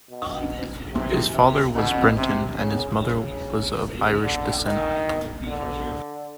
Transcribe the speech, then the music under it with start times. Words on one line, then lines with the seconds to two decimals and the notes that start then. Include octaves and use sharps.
His father was Breton and his mother was of Irish descent.
0.10 B2
0.92 C3
1.34 C3
1.75 B2
2.17 C3
2.58 C#3
2.99 C#3
4.23 D3
4.64 D#3
5.47 D3